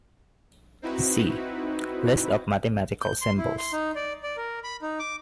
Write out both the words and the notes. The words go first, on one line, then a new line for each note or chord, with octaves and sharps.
See: List of mathematical symbols.
C4 D#4 E4 F#4 B4
G6
C6
E4
C6
D#4
D5
D5
A#4
B5
D#4
D6